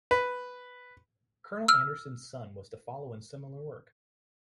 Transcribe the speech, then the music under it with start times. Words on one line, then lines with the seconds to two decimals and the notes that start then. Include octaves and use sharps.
Colonel Anderson's son was to follow in similar work.
0.11 B4
1.68 E6 F6